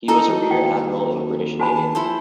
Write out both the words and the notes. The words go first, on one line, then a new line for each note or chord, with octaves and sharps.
He was a Rear Admiral in the British Navy.
D#4 E4 A4 D#5
E3 F#4
D#2 G5
F#4 G#5 A5 B5
F3 E4 A4 C5